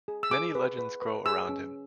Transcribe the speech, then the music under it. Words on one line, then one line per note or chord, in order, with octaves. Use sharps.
Many legends grow around him.
G#4
E6
G#4 D6
B4
B4
B4
G#4 E6
C#4